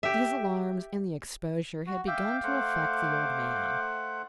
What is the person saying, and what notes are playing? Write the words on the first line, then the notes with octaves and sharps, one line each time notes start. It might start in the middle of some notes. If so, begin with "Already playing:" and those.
These alarms and the exposure had begun to affect the old man.
G4 E5
F#4
E5 F5 G5 D6 G6
A3 C5 F#5